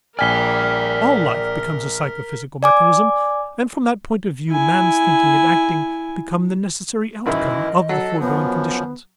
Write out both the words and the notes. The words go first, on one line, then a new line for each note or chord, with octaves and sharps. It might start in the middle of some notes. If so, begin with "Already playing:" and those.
All life becomes a psychophysical mechanism and from that point of view man's thinking and acting become the necessary outcome of the foregoing conditions.
A#1 A#4 D5 G5 G#5 F6 B6 G7
D5 G#5 D6
E4 G#5
G#1 F#2 D#3 E3 E4 D#5
F#3 A4
F#2 F3 B3